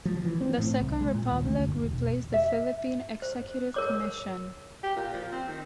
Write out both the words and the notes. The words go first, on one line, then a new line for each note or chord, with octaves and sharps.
The Second Republic replaced the Philippine Executive Commission.
F3
E3
C4
A2
C2
G#3
A#2
D#2
D2
G1
E1
E5
C5
A#4 C#5 D6
G4
A#2
F3
C4
D#3